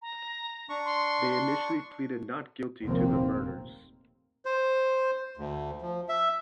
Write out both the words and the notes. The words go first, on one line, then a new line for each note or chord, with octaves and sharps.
They initially pleaded not guilty to the murders.
A#5
D4 C#6
C6
F1 A#1 D#2 D#3 A#3 C4
C5
D2
F3
E5